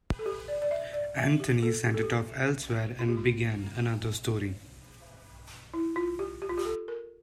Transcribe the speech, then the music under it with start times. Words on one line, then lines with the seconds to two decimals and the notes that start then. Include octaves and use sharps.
Anthony sent it off elsewhere and began another story.
0.19 A4
0.26 G4
0.48 D5
0.62 D5
0.71 E5
0.93 D5
1.17 E5
1.40 G4
1.63 A4
1.85 G4
1.94 A4
2.03 G4
2.99 F4
3.08 G4
3.17 F4
5.74 E4
5.96 F4
6.19 G4
6.42 G4
6.49 F4
6.58 G4
6.65 A4
6.88 A#4